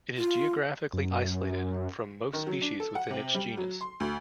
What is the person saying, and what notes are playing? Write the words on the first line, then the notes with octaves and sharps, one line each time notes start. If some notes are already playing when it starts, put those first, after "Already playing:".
It is geographically isolated from most species within its genus.
F4
F#2
D#3
F#3
D4
A4
F#5
C3
G3
F#3
C6
D2